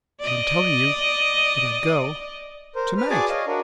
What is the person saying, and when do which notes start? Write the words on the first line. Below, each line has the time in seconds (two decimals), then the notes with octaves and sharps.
"But I'm telling you that I go tonight."
0.20 D5 D#5
2.75 A#4 C5
2.97 B4 F6
3.10 F#4 G#4 D5 G#5 A5 D6
3.30 C#5 D#5 F5
3.47 D4 F#4 A#4